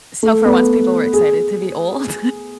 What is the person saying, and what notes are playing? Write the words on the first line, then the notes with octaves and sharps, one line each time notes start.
So, for once, people were excited to be old?
A3
B3
G#4